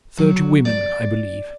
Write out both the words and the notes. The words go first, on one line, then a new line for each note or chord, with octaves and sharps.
Thirty women, I believe.
F#3
D5